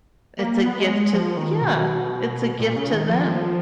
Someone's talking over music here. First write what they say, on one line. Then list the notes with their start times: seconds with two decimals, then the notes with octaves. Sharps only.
It's a gift to yeah, it's a gift to them.
0.39 A#3
0.63 B3
0.80 G#3
0.96 G#3
1.13 F3
1.37 D#3
1.62 B2
2.60 A#2
2.76 C#3
2.93 D#3
3.09 F3